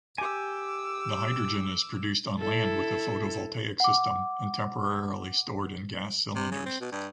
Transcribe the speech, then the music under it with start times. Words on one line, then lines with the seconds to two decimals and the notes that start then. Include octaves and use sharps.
The hydrogen is produced on land with a photovoltaic system and temporarily stored in gas cylinders.
0.18 G4 G#5 D6 E6
2.39 E4 A4
3.80 F#5 D6
6.35 C3
6.51 C#3
6.65 C4
6.80 B2
6.92 G2